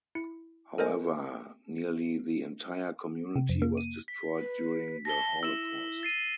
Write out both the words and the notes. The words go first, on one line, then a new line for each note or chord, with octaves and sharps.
However nearly the entire community was destroyed during the Holocaust.
E4 C#7
A4 A#4 C5 D#5 G#5
C3
F2
A#3
D#7
B6
B4
A5 A#6 G7
E4 E6 E7
A6 C7 D#7